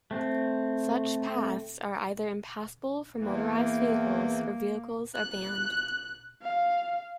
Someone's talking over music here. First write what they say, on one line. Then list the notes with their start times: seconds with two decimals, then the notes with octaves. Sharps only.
Such paths are either impassable for motorized vehicles, or vehicles are banned.
0.11 A3 C4
3.19 E2 E3 A#3
5.15 F#6
6.42 F5